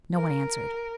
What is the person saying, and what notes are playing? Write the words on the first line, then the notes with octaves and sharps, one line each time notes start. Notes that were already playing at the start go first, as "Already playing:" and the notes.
No one answered.
A#4